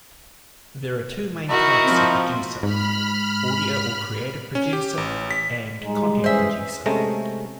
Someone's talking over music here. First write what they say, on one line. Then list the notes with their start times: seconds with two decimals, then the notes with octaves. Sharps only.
There are two main types of producer: audio or creative producer and content producer.
1.50 D#4 E4 F#4 A#4
1.85 F3 C4
2.63 G#2 B5 F6
4.55 C#4
4.73 G4
4.97 A1
5.31 B6
5.82 G3 G#3 D#4
6.24 E3 C#4 G#4 C5 E5
6.86 C3 G#3 A3 C#4 A#5